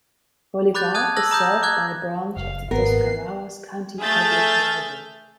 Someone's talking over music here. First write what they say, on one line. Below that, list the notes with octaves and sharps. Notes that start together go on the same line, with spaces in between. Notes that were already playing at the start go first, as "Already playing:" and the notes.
Bolivar is served by a branch of the Tuscarawas County Public Library.
B5 D6 F#6 G6 A6
A5 D#6 F#6 G#6
A5 E6 F#6 A#6 F#7
A#5 D#6 G6
D6 F#6 G#6
F#1 F5
G#1 A#3 B3 A#4 C7
A3 G#4 E5 F6 G6 A6